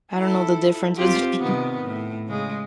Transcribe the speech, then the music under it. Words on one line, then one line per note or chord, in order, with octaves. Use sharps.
I don't know the difference between
E4 A4
C4 F4 G4
C3 D#3 B3
A2
C#3 G#3